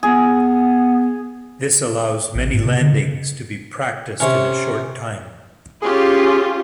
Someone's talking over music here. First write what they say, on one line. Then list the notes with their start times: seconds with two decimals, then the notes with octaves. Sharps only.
This allows many landings to be practiced in a short time.
0.03 B3 G#4
2.35 A1
2.54 G#2
2.65 C3
2.81 D3
2.94 C#3
4.20 C3 C#4
5.82 C#4 F4 G4 G#4